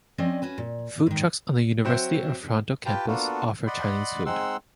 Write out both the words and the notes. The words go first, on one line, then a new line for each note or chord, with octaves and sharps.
Food trucks on the University of Toronto campus offer Chinese food.
F3 C4 C#4 D5 D#5
C#4 F#4 B4
A#2
G#2 D#3
F#3 C4 F#4 C5 C#5 E5
F4 G4 B4 G5 A5
A#3 B3 D4 F4 F#4 A4
D5 D#5 F#5 B5 C6
G#3 C4 D#4 F#5 C6 E6